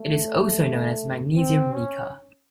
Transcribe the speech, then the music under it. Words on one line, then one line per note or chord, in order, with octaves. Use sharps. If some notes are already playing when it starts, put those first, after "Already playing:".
It is also known as magnesium mica.
Already playing: A3
C4
C#4